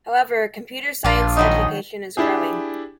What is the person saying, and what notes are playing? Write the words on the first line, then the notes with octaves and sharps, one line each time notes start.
However, computer science education is growing.
A#1 D4 F4
D#3 F#3 D#4 D#5
D4 E4 G4 G#4